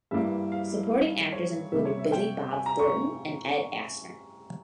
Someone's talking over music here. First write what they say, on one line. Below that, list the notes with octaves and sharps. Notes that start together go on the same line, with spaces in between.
Supporting actors included Billy Bob Thornton and Ed Asner.
G2 E3 G3 A#3 E5
F5
C#5
C3 G3 A#3 E5
C#5
E5
G5
G#5
A#5
C#6